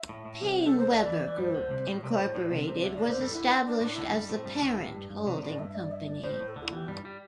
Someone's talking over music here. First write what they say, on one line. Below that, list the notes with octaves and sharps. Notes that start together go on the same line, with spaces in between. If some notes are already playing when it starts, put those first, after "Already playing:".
PaineWebber Group Incorporated was established as the parent holding company.
Already playing: E5
A2
A2
C2 C3
G4
A4
C5
D2 D3 D5
E2 E3
E3
G2 G3 C5
D2 D3
C2 C3
A2 D5
C2 C3
C5
A2
A2 D5
C2 C3 G4
A4
C2 C3 C5
D5
D2 D3 E5
A2 D5
D2 D3 C5
G2 G3 A4
D2 D3 E4
D4
D4
A2 D4
D2 D3 E4
D4
G2 G3
A2 A3 C4
G2 G3
D4
D2 D3
A2 G4
G2
G2
C2 C3 D5
C3
A2 D5
G2 E5
D5
E5
D5
A2 C5
A2
A4
D2 D3
E4
E2 E3 G4
G2 G3 D4
G3 G4